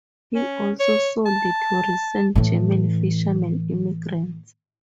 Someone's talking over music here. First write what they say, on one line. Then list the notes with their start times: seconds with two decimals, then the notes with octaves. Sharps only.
He also sold to recent German fishermen immigrants.
0.35 C#4
0.80 C#5
1.26 A5
2.35 A2 E3